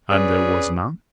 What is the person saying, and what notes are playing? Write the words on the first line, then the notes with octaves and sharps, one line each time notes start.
"And there was none?"
C#4 G#4 B4 D5